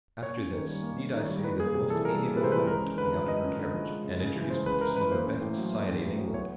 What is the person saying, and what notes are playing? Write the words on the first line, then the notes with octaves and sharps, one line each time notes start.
After this, need I say that the most amiable of women took me out in her carriage, and introduced me to some of the best society in England?
A#3 C#5
C#4
D#3
G3
A#3
C#4
D#3
G3
G3 B4
A#3 G#4
C3 G#4
E3 A4
G3 A#4
A#3
C3 B4
C5
E3 B4
G#3 A#4
C#4
D3 B4
F3
G#3 D#5
C#4
D3
F3
G#3
C#3
C#3
E3
G#3 C5
C#3 B4
C#3 A#4
E3 B4
A#3 C5
C#4
A2
F#3
A#3
C#4
A2
F#3
B3 C#5